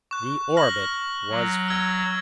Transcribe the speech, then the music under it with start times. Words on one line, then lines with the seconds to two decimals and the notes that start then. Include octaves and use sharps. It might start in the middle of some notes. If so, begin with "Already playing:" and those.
The orbit was found.
0.11 C#6 F#6
0.57 F6 A#6 F#7
1.29 F#3
1.68 E6 G#6